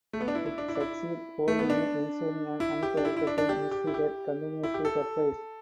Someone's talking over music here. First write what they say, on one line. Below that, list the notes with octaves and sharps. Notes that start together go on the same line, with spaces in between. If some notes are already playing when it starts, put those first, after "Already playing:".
It succeeds wholly in ensuring an unpredictable mystery that continues to surprise.
A3
B3
D4
E4
E4
D4
E4
D4
E4
A3
B3
D4
E4
G4
D4
E4
E4
D4
D4
G4
G4
E4
G4
E4
G4
A4